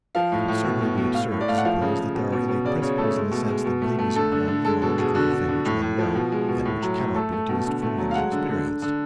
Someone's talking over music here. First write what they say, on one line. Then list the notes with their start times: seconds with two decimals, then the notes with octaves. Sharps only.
It would certainly be absurd to suppose that there are innate principles in the sense that babies are born with a knowledge of everything which men know and which cannot be deduced from what is experienced.
0.15 F3 F5
0.32 A2
0.48 A2
0.64 B2
0.81 B2
0.98 B2
1.14 A2 F5
1.32 A2
1.41 D5
1.48 A3 F5
1.58 F#5
1.65 F3 F5
1.81 C#3
1.99 C#3
2.15 B2
2.32 B2
2.48 B2
2.65 C#3 D5
2.82 C#3 C#5
2.98 A3 A4
3.15 G#3
3.31 B2
3.49 G#3
3.65 B2
3.82 A3
3.99 A3
4.15 D3 A4
4.32 D3
4.48 D3
4.65 G#3 A4
4.82 B2 A4
4.98 B2 G#4
5.15 D3 F#4
5.32 D3
5.49 D3
5.65 A2
5.82 A2
5.98 F3
6.15 B2
6.32 G#3
6.49 B2
6.65 A2
6.82 F#3
6.99 A2
7.15 A3 A4
7.33 A3
7.49 B2
7.66 D3
7.82 A3
7.98 F#3
8.11 F5
8.15 G#3 F#5
8.32 D3
8.49 D3
8.66 D3
8.82 D3